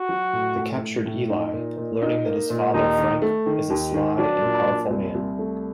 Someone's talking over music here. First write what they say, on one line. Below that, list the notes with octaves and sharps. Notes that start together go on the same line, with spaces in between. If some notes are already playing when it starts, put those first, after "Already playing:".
They capture Eli, learning that his father Frank is a sly and powerful man.
Already playing: F#4
F#3
A2
A2
A2
A2
D#4
A#2
A#2
D#4
A#3
A#2
D#2 D#4
D#3
A3
D#3
D#2
D#3
F#3 D4
A#2
A#2
C2
C2
A3